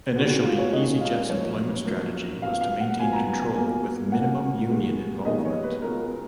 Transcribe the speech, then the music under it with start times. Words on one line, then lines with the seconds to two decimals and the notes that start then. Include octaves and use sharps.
Initially, easyJet's employment strategy was to maintain control with minimal union involvement.
0.16 D#2 D#3 G#3 B3 F#4
0.30 F#4
0.44 F4
0.58 C#5
0.72 D#2 D#3 G#3 B3 D#5
1.01 F5
1.29 F#2 F3 A#3 C#5
1.85 F#2 F3 A#3
2.42 C#2 B2 F#3 F5
2.61 F5
2.80 F#5
2.99 C#2 B2 F#3 G#5
3.13 A#5
3.28 G#5
3.42 G#5
3.56 B2 A#3
4.12 B2 A#3 F#5
4.69 D#2 D#3 G#3 B3
5.25 D#2 D#3 G#3 B3 D#5
5.45 C#5
5.63 B4
5.82 C#2 B2 G#3 B3 A#4